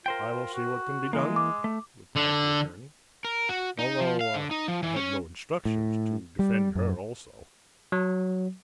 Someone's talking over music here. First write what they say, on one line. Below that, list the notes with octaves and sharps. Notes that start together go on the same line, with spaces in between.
"I will see what can be done," replied the attorney, "although I had no instructions to defend her also."
F4 A#4 C5 G5
F#4
E3 G#3 A#3
D6
A3
D3
A#4
F#4
D#4
F3
F5
D3
D#4
F3
E3
C#4
A2
G3
F#2
F#3